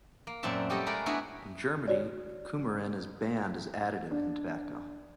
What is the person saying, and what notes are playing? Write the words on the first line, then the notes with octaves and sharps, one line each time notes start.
In Germany, coumarin is banned as additive in tobacco.
A#3
F#2 A#2 C4 F#4 E5 A5
G3 G4 A4 C#5 D#5
G#3 A3 A#4 B4 D5
B3 D4 E4 F#4 G#4 B4
F#4 C#5 D5
D4